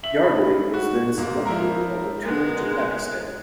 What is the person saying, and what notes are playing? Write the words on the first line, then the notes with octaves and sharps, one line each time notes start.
Yardley was then selected on the tour to Pakistan.
E5 F#7
B5
F#4
G#2 A#3
F3 E4 A#4 A#5
G#3 A#3 B3 D#4 G#4 F#6